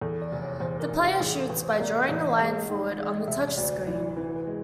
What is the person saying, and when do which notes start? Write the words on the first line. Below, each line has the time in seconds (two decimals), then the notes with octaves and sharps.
The player shoots by drawing a line forward on the touchscreen.
0.01 E2 A4
0.22 D5
0.32 F1
0.42 C#5
0.60 E2 C5
0.80 A#4
0.91 F1
1.00 G4
1.20 A1 G#4
1.35 A4
1.49 A1 B4
1.65 C5
1.80 A#3 D5
1.95 D#5
2.09 A1 D5
2.24 D#5
2.39 G#3
2.69 D#3
2.98 G#3 D5
3.12 D#5
3.28 F1 E5
3.43 D5
3.57 D2 D5
3.87 E3 D5
4.17 E3 B4
4.36 B4
4.47 G#3